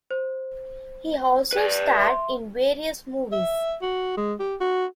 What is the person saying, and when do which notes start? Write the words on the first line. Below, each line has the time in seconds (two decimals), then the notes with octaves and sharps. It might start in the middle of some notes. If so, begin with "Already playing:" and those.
He also starred in various movies.
0.11 C5
1.53 B4 D5
1.97 E5 C6
3.32 E5
3.82 F#4
4.17 G#3
4.40 G4
4.61 F#4